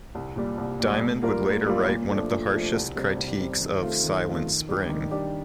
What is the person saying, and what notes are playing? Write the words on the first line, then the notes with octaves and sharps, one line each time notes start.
Diamond would later write one of the harshest critiques of "Silent Spring".
C2
A#2 G3
C2
A#2 G3
A2
G3 A#3 F4 A#4
A2
G3 A#3 F4 A#4
A#2
F3 A3 D4
A#2
F3 A3 D4
C2
C3 G3
C2
C3 G3
D#3
A3 C4 F4
D#3
A3 C4 F4
D#3
G3 D4 G4
D#3
G3 D4 G4